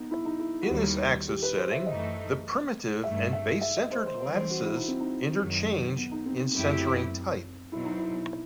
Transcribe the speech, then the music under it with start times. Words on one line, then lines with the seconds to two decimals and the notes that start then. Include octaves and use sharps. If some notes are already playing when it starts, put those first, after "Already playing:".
In this axis setting, the primitive and base-centered lattices interchange in centering type.
Already playing: B3 D#4
0.11 E4
0.25 D#4
0.39 E4
0.63 F#4
0.68 D#2 D#3 G3 G4
1.28 G4
1.43 B4
1.57 C5
1.72 E5
1.86 F#2 E3 A3 D#4 D#5
3.04 G2 D#3 A3 E5
3.33 E5
3.61 E5
3.77 D#5
3.91 C5
4.06 C5
4.20 E3 G3 C4 C5
4.35 C5
4.50 F#4
4.64 E4
4.76 D#4
4.88 C4
5.00 D#4
5.38 F#2 D#3 F#3
5.97 B3
6.11 D#4
6.26 C4
6.40 C4
6.54 F#2 F#3 A3 C4 E4 G4
7.72 B2 F#3 C4 E4
7.85 D#4
7.98 E4